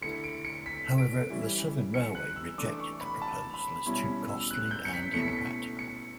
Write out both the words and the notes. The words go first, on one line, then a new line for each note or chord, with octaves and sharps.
However, the Southern Railway rejected the proposal as too costly and impractical.
D3 A3 E4 C#7
D7
C#7
B6
D7
E3 G3 C#4 E4
C#7
F#6
E6
E3 A3 D4 D6
C#6
B5
A5
B5
B2 G3 C#4 E4 B5
E6
F#6
G6
C#7
B6
B2 A3 C#4 E4 C#7
B6
C#7
C#7